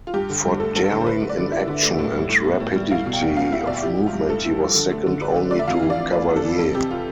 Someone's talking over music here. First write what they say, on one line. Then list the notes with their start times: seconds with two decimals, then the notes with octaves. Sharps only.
For daring in action and rapidity of movement he was second only to Cavalier.
0.07 F4
0.14 G2 G4
0.29 D3
0.45 G2
0.60 A3 A4
0.75 G2 A4
0.91 D3 A4
1.01 C5
1.06 D3 B4
1.22 A3
1.29 D5
1.37 D3
1.52 E4 E5
1.68 D3
1.83 A3
1.99 A2
2.14 G3
2.29 A2
2.44 B3
2.60 A2
2.76 G3
2.90 E4 F5
3.06 B2
3.13 G5
3.21 E2
3.37 B3 F5
3.52 E4 E5
3.67 B2 D5
3.82 E4 G4
3.99 F3
4.06 F4
4.13 G2
4.30 A3 A4
4.45 E4
4.60 F3
4.75 D3
4.91 A3
5.06 D3
5.21 D4 B4
5.36 D3
5.51 A3 D5
5.59 E5
5.68 F2 F5
5.82 E3
5.90 D5
5.98 F2
6.13 A3 B4
6.29 F2
6.36 A4
6.45 E3
6.59 F2 A4
6.75 C3 G4
6.91 F4